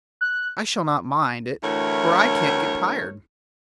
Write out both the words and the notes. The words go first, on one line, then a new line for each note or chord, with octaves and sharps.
I shall not mind it, for I can't get tired.
F#6
D2 A2 E3 A#4 C#5